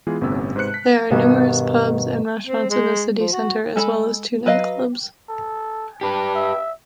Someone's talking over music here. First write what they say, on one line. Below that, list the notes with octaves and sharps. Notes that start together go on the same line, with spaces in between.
There are numerous pubs and restaurants in the city center, as well as two nightclubs.
E3 G#3 B3 F4 G#4
G1 A2 C3 B3 C#4 E6
G#2 C3 B4 C5 F#6 C#7
B6
G2 B2 D#3 F#5
C4
G#3
F3
F#4
G#3 A4 A#5 B5
F#3 B4 D#5 F5
A4
D4 G4 B4
E5